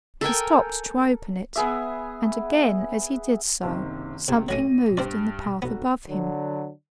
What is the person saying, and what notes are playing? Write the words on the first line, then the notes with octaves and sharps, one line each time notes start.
He stopped to open it, and again, as he did so, something moved in the path above him.
A4 A#4 G5 G#5
B3 G#4 E5
F#1 C3 D#3
C#2 C3
A1 F#3 A3 C#4 A#6 D#7
G2 C4 C5 D5
F1 B3 F#4
D3 F#3 D4